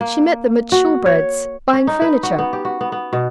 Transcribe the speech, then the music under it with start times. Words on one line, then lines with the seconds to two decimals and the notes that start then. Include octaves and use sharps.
She met them at Shoolbred's--buying furniture.
0.01 A#3
0.72 F#4
1.06 C#5
1.73 C#4
1.87 D#4
2.02 B4
2.23 F#4
2.39 B3
2.53 G4
2.65 F#4
2.81 B3
2.92 B3
3.13 B2